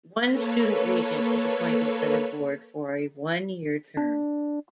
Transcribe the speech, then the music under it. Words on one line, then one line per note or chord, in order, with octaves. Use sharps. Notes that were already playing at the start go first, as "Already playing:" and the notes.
One student Regent is appointed by the Board for a one-year term.
A#3 A4 B4 C#5
D4